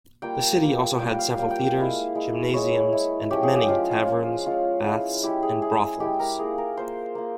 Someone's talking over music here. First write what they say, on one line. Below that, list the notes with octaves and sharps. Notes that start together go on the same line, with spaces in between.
The city also had several theatres, gymnasiums, and many taverns, baths and brothels.
G3 A#3 F4 G5
G3 A#3 F4
G3 A#3 F4 G5
F5
G3 A#3 F4 G5
G5
F5
G#3 E4
G#3 E4
G#3 E4 C#5
G#3 E4
F3 G#3 C#4 G4
G#4
G4
F3 G#3 C#4 F4
F4
F3 G#3 C#4
F3 G#3 C#4 F4
G#3 E4
G#3 E4 G4
G#4
G#3 E4 G#4
G#3 E4 G4
A#4
A#3 F4 G#4
A#4
A#3 F4 C5
A#3 F4